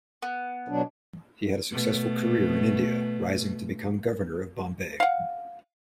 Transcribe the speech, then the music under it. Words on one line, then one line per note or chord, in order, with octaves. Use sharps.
He had a successful career in India rising to become Governor of Bombay.
B3
B2 F#3 D4
B2 A3
F5 F#5